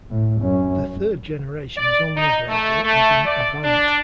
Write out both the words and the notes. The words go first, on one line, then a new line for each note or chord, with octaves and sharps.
The third generation is only available as an Avant.
A2
F#2 C#4
D5
D#4
A3
A3
D5
D4